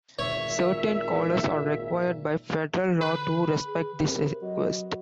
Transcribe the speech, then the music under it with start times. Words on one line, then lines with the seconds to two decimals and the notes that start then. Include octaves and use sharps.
Certain callers are required by federal law to respect this request.
0.19 G#1 A#2 C#5 E5
3.01 D3 B4
3.66 G#4
4.00 C3 A#4
4.42 F#3 D#5